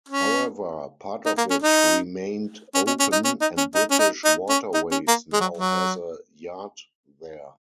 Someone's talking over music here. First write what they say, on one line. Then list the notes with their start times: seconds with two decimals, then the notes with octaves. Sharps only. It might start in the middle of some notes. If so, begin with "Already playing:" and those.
However, part of it remained open and British Waterways now has a yard there.
0.09 C#4
1.26 D#4
1.38 A#3
1.50 C#4
1.62 D#4
2.75 C#4
2.87 C#4
3.00 C#4
3.12 D#4
3.25 C#4
3.41 D#4
3.58 C#4
3.75 D#4
3.91 C#4
3.99 D#4
4.25 D#4
4.49 C#4
4.74 D#4
4.92 C#4
5.08 A#3
5.33 G#3
5.41 F#3
5.57 F#3